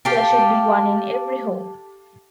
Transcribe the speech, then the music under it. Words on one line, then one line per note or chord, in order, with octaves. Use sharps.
There should be one in every home.
G4 A4 F5 G5